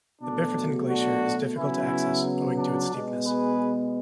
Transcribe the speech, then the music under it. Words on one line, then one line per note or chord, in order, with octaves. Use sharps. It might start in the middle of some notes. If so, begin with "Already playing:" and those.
The Biferten Glacier is difficult to access, owing to its steepness.
B2 F#3 A3 D4
D4 F#4
C#3 F#3 B3 C#4 E4
D4
B2 G#3 B3
G#4 B4